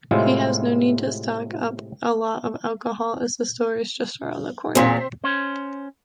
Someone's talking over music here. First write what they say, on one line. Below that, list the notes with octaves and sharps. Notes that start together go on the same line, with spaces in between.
He has no need to stock up a lot of alcohol, as the store is just around the corner.
A2 C3 G#3 E4 F4
E2 A#2 C4 C6 B6
C#4 C5